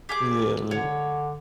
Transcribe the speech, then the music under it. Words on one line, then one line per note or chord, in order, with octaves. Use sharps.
Yeah man,
G4 G#4 D6
D3 C#5